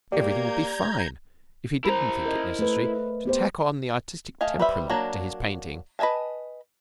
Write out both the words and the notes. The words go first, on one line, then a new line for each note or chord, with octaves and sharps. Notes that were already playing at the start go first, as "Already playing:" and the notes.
Everything would be fine if he didn't think it necessary to tack on the artistic temperament to his painting.
A#3 G4 D5 A#5 G6 G#6
E4 A#4 C5 A#5
A#4 D#5
A3 B4
B3 G4 C5
A3 D#5 F5 G#5
G3 B4 C5 E5
F#3 A#3 D4 D5
B4 D#5 E5 G#5 A5